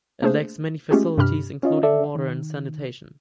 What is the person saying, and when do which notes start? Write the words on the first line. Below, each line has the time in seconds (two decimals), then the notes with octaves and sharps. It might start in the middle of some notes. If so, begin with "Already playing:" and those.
It lacks many facilities including water and sanitation.
0.22 A3 A#3 D4 G#4 C5
0.91 G#3 A3 C#4 F4 G4 G#4
1.18 G2 C3 D4 G4 B5 F6
1.63 C#4 F4 D#5
1.83 A4 D5 E5
2.15 D#3